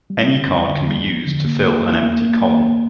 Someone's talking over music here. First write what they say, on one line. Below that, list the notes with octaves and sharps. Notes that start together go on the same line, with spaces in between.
Any card can be used to fill an empty column.
G3
D3
G3
D3
G3
F3
D3
A#3
A#3
A#3
A#3
A#3
A#3
A#3